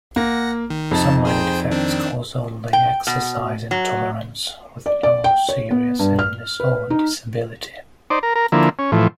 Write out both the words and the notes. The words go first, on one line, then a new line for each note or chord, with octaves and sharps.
Some minor defects cause only "exercise intolerance", with no serious illness or disability.
A#3 F#5 A#6
D#3
F2 C3 D#4 A5
G#4 C5 G5
D#3 C4 D4
G5
B2
F#3
D5
D5
G5
C#5
B3
G2
F6
B4
D#4
D#4 C5 D5
A#4
A#4
D3 F3 A#3 E4
C#4
A2 E3 F3